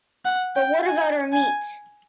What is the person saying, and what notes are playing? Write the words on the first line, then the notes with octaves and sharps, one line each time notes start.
But what about our meat?
F#5
G5
G#5
G#5